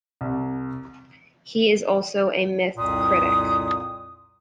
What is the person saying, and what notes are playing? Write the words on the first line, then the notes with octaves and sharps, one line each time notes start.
He is also a myth critic.
C2
C2 F2 A#2 D#6